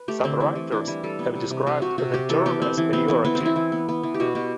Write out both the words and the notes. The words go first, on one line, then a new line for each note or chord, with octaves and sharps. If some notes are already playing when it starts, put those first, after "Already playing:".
Some writers have described the term as pejorative.
Already playing: B4
A3 G4
D3 C4
E3
E3
E3 D4
G3 E4
G3 A4
B3
C3
C3
C3 G4
C3 F#4
C3 F#4
C3 G4
E3 A4
B3 G4
B3 C4
E3
B3 C4
E3
E3 B3
C4
E3
E4
E3
B3
B3
E3
G4
B2 F#4
B2 G4